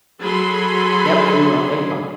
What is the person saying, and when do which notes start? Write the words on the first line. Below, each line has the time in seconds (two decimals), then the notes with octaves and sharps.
Yep, free will, there you go.
0.21 F#3 G#4 A4 G#5 B5 C6